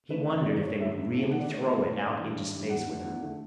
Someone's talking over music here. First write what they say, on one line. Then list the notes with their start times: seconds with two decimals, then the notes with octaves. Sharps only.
He wondered if they would really throw it out into space with him.
0.10 C#3 E3 A3 B4
0.27 F#2 E5
0.45 C#3 E3 A3 D5
0.57 D5
0.62 F#2 C#5
0.80 D3 A3 E5
0.97 F#2
1.14 D3 A3
1.31 B2 F#5
1.40 D5
1.48 A3 C#5
1.57 B4
1.66 B2 C#5
1.84 A3
2.00 G2 D5
2.17 E3
2.22 G3
2.35 G2
2.53 E3 G3
2.69 E2 F#5
2.87 D3 A3
3.04 E2
3.22 D3 A3